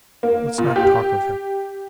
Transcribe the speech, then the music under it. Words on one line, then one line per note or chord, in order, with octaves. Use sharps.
Let's not talk of him.
A#3
A#2
G4